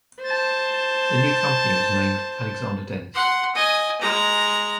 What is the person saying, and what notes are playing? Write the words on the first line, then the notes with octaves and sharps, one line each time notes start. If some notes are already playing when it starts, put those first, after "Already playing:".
The new company was named Alexander Dennis.
C5 A5
F#5 C6
D#5 G#5
G#3 A#5